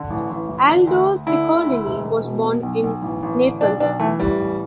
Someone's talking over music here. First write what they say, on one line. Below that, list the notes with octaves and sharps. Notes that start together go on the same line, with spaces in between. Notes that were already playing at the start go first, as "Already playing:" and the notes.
Aldo Ciccolini was born in Naples.
Already playing: D3
A1
A1
E3
D3
D2
D2
D3 E4
D2
D2
E1
E1
B2
B2
B1
B1
A1
A1
D3
B1 D4
B1 D4
E3 A3
A1 G3
A1